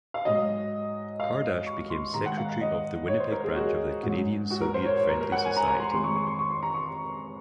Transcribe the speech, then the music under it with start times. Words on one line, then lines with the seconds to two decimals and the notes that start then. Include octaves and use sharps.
Kardash became secretary of the Winnipeg branch of the Canadian-Soviet Friendly Society.
0.14 F5
0.25 G#2 F#3 D#5
1.20 F5
1.66 C#6
1.90 C6
2.14 G#2 D#3 G#3 A#5
2.26 F#5
2.37 F5
2.49 F5
2.61 D#5
3.08 C#5
3.20 C5
3.32 A#4
3.44 G#4
3.56 F#4
4.03 G#2 F#3
4.51 F#4
4.61 A#4
4.74 C5
4.86 C#5
4.97 C#5
5.09 A#4
5.21 A#4
5.32 F#5
5.45 G#5
5.57 A#5
5.68 A#5
5.80 C6
5.92 F2 D#3 G#3 C6
6.04 C#6
6.16 C#6
6.27 C6
6.39 C#6
6.50 C6
6.63 A#5
6.74 C#6